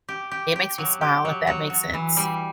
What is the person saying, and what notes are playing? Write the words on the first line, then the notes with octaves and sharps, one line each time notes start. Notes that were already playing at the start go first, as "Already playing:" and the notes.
It makes me smile, if that makes sense.
G4
G4
G4
F#3
G4
F#3
F#3
F#3
E3
G3